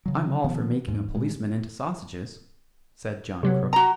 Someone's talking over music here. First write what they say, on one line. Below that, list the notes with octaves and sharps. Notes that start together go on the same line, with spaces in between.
"I'm all for making a policeman into sausages," said John Crook.
C#3 F#3
B2 D#3 F3 B3
E2 G#2
A#2 G#3
C3 F#3 B3
F#4 A#5